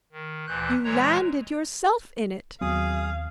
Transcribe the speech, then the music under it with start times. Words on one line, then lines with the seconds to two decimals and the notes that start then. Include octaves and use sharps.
You landed yourself in it.
0.12 D#3
0.47 D2 A#2 E3 F#6 G6
0.84 A#2 E3 G#3 C#5 A#5
2.61 D#2 F#3 B3 C4 G#4 F5 D#6